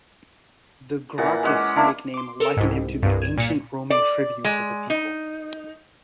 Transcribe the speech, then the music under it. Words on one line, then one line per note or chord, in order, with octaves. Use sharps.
The "Gracchus" nickname likened him to the ancient Roman tribunes of the people.
A#2 E3 F#5
G#3 C#4 F#5 D6
A#3 D4 E4
C6 D6
A4 A#4 E6
C2 G#2
C2 G2
G#6
A#2 C#7
D5
G#3
D#4